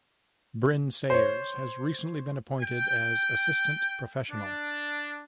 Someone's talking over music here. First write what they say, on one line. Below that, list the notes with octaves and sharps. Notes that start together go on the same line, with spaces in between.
Bryn Sayers has recently been appointed as Assistant Professional.
C5 C#5
G5
D4